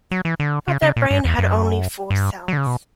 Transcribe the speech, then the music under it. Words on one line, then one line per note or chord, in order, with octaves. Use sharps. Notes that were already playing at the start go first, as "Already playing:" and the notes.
But their brain had only four cells.
F#3
E3
D3
C#3
C#3
A#2
G2
E2
F#2
G2
F#3
D3
C#3
B2